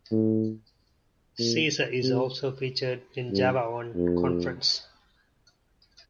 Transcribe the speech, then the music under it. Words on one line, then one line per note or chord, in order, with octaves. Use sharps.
Seasar is also featured in JavaOne conference.
A2
A#2
C3
G2
F2